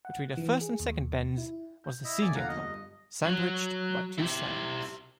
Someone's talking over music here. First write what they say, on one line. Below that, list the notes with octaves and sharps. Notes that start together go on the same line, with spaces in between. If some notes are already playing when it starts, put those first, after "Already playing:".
Between the first and second bends was the Senior Club sandwiched by two stands.
F#5
E3
G#4
D#2
E4
G6
E4 D#5 E5
G1 A4 D5 G#5
E1 A#1 D3 F5 F#5 A#5
D#5
G2
F#3
E4 G4